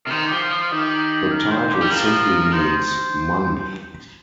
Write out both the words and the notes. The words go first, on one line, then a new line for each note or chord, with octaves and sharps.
The title simply means "month".
C3 A#4
D#3 C5
G4
F3
F4
F3
F4
D#3 G4
G4
A#4
C5
G4
G3
F3 A#4
A#4
D#3 C5